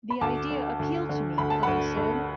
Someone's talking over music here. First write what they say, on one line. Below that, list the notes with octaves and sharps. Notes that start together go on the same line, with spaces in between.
"The idea appealed to me", Fong said.
B5
D2 A5 D6
D3
D2
D3
D2 B5
A5
D2 F#5 B5
D2